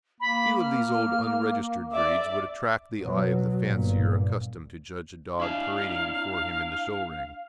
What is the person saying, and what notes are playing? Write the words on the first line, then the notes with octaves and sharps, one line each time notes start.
Few of these old unregistered breeds would attract the eye of the fancier accustomed to judge a dog parading before him in the show ring.
A#3 B5
F6
D5 E5 D6
B2 F#3
G1 A#2
D4 E4 F5